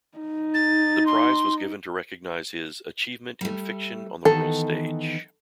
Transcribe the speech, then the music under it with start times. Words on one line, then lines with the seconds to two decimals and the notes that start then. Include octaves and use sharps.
The prize was given to recognise his "achievement in fiction on the world stage".
0.18 D#4
0.54 A6
1.06 C6
3.41 G3 A3
4.25 D#3 E3 B3 A4